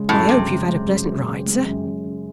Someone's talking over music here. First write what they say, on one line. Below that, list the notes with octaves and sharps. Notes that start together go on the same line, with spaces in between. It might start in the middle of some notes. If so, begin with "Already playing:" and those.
'I hope you've had a pleasant ride, sir.
Already playing: C#3 G#3
F#2 A2
F#2 C3
C#3
G#3
F#2
F#2
C#3
G#3
F#2
F#2
C#3